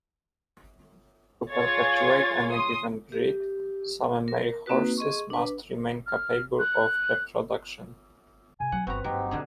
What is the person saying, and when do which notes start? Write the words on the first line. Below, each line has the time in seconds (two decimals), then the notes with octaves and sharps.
To perpetuate any given breed, some male horses must remain capable of reproduction.
1.50 F4 G#4 C#5 G#6 A6
2.52 C6 D#6
3.12 G4
4.28 A#4
4.66 A#3 C4 D#4 F#4 B4
4.97 G#4 D#5 C6 C#6
5.30 D4 B4
6.07 F6
6.59 F#6
8.60 C3 G#5
8.72 F#3 C4 F#5
8.87 G1 E3 B3 C4 F#4 B4 A#5
9.04 G1 F#3 A#3 C4 D#4 G4
9.31 B2 D3 B3 E4 G#4